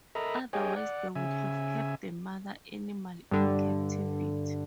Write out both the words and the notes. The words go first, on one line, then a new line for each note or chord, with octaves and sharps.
Otherwise they would have kept the mother animal in captivity.
A4 A#4 D#5 E5 A#5 B5
G4 G#4 C#5 D#5 G5 G#5
D5 F#5
C#3 E5 G#5
G2 D3